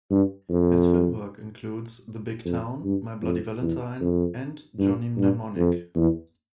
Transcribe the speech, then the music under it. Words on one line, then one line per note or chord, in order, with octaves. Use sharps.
His film work includes "The Big Town", "My Bloody Valentine" and "Johnny Mnemonic".
G2
F2
F2
G2
F2
E2
F2
G2
G2
F2
E2